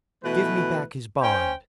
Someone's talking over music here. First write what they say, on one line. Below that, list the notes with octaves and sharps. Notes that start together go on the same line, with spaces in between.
Give me back his bond.'
B2 E3 A3 B4
C#4 C5 G5